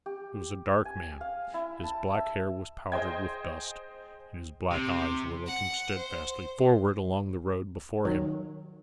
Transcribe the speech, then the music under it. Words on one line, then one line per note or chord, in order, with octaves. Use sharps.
He was a dark man, his black hair was powdered with dust, and his black eyes were looking steadfastly forward along the road before him.
G4
G#5
F5
E4
A5
E5
G#4 C5 D#5 G5 G#6
C3
F#5
C5
D#3 F#3